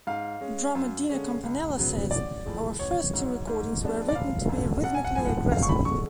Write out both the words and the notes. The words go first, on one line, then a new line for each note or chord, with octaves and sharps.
Drummer Dino Campanella says, Our first two recordings were written to be rhythmically aggressive.
G#2 F5
G#3 C#4
F#2
D3 G#3 C#4
C#2
C#3 F#3 B3
A1 D5
A2 F3 G#3
A1 C#5
G#2 F#3
G#2
F3 G#3 B3 D4
D5
F#1 F5
F#2 D3
B1 F#5
G#5
F#5
A2 F3 G#5
F#5
D2 F5
C#6
B5
D3 G#3 C#6